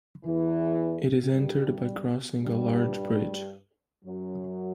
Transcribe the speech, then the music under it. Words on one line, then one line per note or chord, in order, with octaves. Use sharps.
It is entered by crossing a large bridge.
E2 E3
G2 G3
G2 G3
F#2 F#3